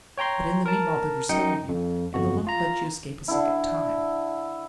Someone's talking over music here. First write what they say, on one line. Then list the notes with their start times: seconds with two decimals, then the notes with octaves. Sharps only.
"But in the meanwhile they'll discover you, and they'll not let you escape a second time."
0.18 C#5 G5 A#5 C6
0.66 A#4 A5
1.29 F#2 D#4 G5 C#7
1.69 F2
2.14 G1 F2 F#4
2.47 F4 A#5
3.28 D3 E4